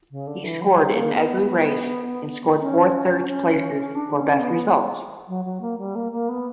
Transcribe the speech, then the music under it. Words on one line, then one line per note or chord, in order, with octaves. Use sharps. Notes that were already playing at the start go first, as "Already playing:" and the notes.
He scored in every race and scored four third places for best results.
C#3
D3
E3
F#3
G3
A#3
B3
C#4
C#4
D4
C#4
B3
F#3
F#3
A#3
G3
A#3
A#3
B3